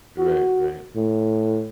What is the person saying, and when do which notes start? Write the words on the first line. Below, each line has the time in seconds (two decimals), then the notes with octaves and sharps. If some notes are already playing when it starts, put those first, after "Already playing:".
Right, right.
0.18 F#4
0.96 A2